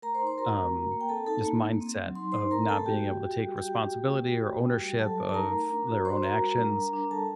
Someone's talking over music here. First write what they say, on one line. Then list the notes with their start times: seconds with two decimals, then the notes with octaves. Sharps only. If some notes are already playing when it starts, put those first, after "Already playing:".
um, this mindset of not being able to take responsibility or ownership of their own actions,
0.02 A3 A#4 A#5
0.15 C5 C6
0.21 D#4
0.27 C5 C6
0.38 F#4 A#4 A#5
0.56 A3
0.74 F#4
0.92 A#3
1.01 G5
1.09 C4 A4 A5
1.26 D#4 A4 A5
1.45 A#3
1.63 A#3
1.81 C4
1.98 F#3
2.15 D#4 C6
2.32 D#4 C5 C6
2.50 C4 A#4 A#5
2.68 A3 A4 A5
2.86 F#4 G4 G5
3.05 F#4
3.22 F#4
3.40 G3
3.57 F#4 G4 G5
3.75 F#4
3.93 A3
4.11 A3
4.28 F#4
4.46 A3
4.64 F#4
4.81 G3
4.99 F#3 A4 A5
5.16 F#3
5.29 A5
5.34 D#4 A#4 A#5
5.52 A3
5.70 D4
5.87 F#4
6.05 F#4 C5 C6
6.23 F#4 A#4 A#5
6.41 G3
6.58 D4
6.77 G3
6.93 D4
7.11 G3 A4 A5